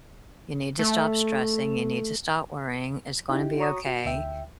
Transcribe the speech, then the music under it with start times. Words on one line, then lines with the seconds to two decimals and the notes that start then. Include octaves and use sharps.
You need to stop stressing, you need to stop worrying. It's gonna be okay,
0.79 A3
3.29 D#4 E4 G4
3.58 F#4 C#5 A#5 C#6 D#6
3.86 F#4
4.06 D2 E5 G5